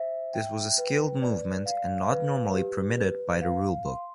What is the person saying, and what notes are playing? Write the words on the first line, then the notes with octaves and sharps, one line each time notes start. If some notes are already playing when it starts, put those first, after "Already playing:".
This was a skilled movement and not normally permitted by the Rule Book.
Already playing: C5 E5
G5
B4
D5
F5
B4
G4
B4
F5
C6